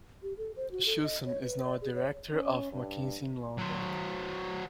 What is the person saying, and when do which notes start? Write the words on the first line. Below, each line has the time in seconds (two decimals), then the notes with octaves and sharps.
Shilson is now a director of McKinsey in London.
0.23 G4
0.38 A4
0.56 C5
0.71 F#4
0.86 A4
1.03 D#5
1.25 C#5
1.42 B4
1.64 D5
1.81 G#4
1.95 C#5
2.32 C#4
2.72 G2
3.58 F#3 C5